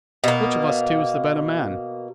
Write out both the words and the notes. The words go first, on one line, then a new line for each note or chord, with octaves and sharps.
Which of us two is the better man?
B2 A#3